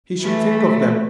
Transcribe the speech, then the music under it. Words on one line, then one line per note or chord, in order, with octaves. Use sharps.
He should think of them.
E3 A3